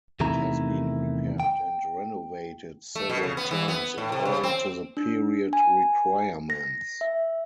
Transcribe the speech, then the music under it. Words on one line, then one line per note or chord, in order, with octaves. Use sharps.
It has been repaired and renovated several times according to the period requirements.
E2 C3 D#3 A3 E4 A#5
G5
A3
B2
C#3
B3
E3
B3
A2
C3
C#3
C4
D4
G#5
A#6
E5